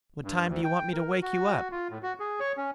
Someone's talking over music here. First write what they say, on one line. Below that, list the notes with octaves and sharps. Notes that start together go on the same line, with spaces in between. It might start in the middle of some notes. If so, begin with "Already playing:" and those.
"What time d'you want me to wake you up?"
G2
D2
G5
A#4
F#4
F4
A2
F#4
G#4
C#5
C#4